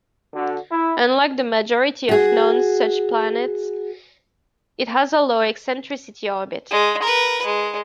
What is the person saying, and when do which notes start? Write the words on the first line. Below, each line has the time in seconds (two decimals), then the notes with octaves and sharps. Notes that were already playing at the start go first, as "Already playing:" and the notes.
Unlike the majority of known such planets, it has a low-eccentricity orbit.
0.33 D3 F#4
0.70 E4
2.09 F#4 G#4
6.71 G#3
7.03 A#4 B4
7.45 G#3